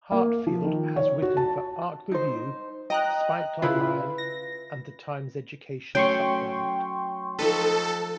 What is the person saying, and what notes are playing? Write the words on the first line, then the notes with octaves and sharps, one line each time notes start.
Heartfield has written for "Art Review", Spiked Online, and "The Times Education Supplement".
A#3
F3
D#3
C#5
F#4
A5
D#4 C5
D#5 G5 A#5 F#6
C#3 E4 F4 B4 B5
A#6
F#3 A3 C#4 G5 C6 C#6
F3 D#4 A4 B4